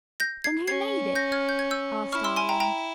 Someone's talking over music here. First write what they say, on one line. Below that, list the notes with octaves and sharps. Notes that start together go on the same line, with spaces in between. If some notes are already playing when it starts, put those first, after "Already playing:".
"Then, who made it?" asked Arline.
G6 A#6
G#6 C7
C#4 G#6 C7
G6 A#6
F6 G#6
G6
G#6
E6 G6
E4 C#6 F6
C6 E6
G#5 C6
G5 A#5
G5 A#5